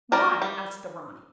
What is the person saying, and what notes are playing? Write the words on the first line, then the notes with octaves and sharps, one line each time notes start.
'Why?' asked the ranee.
G3 A#4 D5
G3